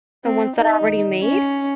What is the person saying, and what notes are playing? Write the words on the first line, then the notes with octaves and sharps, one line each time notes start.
The ones that are already made,
C4
D#4
C#4